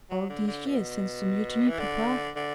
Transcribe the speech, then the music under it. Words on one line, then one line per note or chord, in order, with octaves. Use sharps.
'All these years since the mutiny, papa?'
F#3
D3
D3
B2
E3
D3
D3